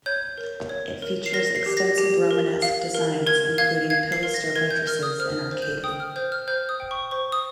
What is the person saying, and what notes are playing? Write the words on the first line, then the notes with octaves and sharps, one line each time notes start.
It features extensive Romanesque designs, including pilaster buttresses and arcading.
C#5 G6
A#4
C#5
A#4
C7
A#4 A#6
C7
G4
A#6
G4
A#4
F5
A#4
A#4 G#6
F5 G#6
F5 G#6
C7
A#4
A#6
A#4 G#6
G6
A#4 F6
D#6
C5 F6
C5
G6
G5 D#6
F6
C5 G6
F6
C5 G6
D#6
G5
C#6
C5 C#6
D#6